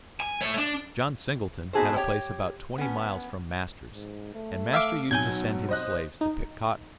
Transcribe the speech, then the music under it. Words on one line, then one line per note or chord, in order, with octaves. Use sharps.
John Singleton had a place about twenty miles from master's, and master used to send him slaves to pick cotton.
G#5
A3 C#5
D4
B3 D#4 F#4 G#4 A4 C5
G4 C#5 G5
B3 C#4
G#2
A3
E5 F5 D6
B1 F#3 G#5 G6 G#6
C5 D#5 F#6
D#4